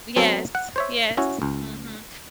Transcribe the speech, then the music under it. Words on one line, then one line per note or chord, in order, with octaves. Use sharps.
Yes, yes, mhm.
F#3 B3 C4 A4 G#5
F#5
C5 C#5 E5
C#4 E4 F#4 C#5
C#2